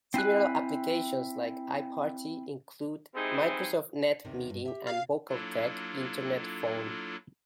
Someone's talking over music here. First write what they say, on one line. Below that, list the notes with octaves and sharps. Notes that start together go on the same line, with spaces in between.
Similar applications like iParty include Microsoft NetMeeting and VocalTec Internet Phone.
C4 E4 G#5 F#6
G3 G#3 C4 D#4 E4 G#4
D#2 C3 D#3
G2
G4 E5
F5
F#3 A#3 D4 E4 F4 A4